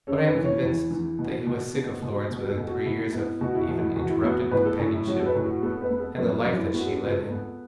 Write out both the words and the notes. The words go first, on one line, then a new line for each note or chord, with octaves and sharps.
But I am convinced that he was sick of Florence within three years of even interrupted companionship and the life that she led him....
C#4 A4
B4
E3
C#5
E2 E4
E3
B2
B2
B3
B2
B2 F#4
A4
B2
F#4
B2 E4
B3 E4
B2 F#4
E4
F#4
E2
E4
E2 F#4
E4
B3 F#4
A2 B4
A4
A2
E4
F#3 F#4
A4
B4
A2
F#4
B3 A4
B4
B3
A4
F#2 B4
F#4
F#2
E4
B3 F#4
A4
F#4
C#2
B4
A4
B3